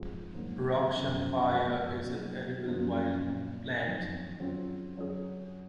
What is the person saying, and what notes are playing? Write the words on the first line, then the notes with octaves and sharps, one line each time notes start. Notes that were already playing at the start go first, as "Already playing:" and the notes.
Rock samphire is an edible wild plant.
Already playing: G#2 F3 C4 F4 G#4
G#2 F#3 A#3 D#4
F#2 C#3 F3
F3 G#3 C#4
C3 F#3 A#3 D#4 G#4
F#2 F3 A#3 D#4
A#2 F#3 C4
F2 D#3 F#3 C4
C#3 F#3 C4 F4
F#3 C#4 G#4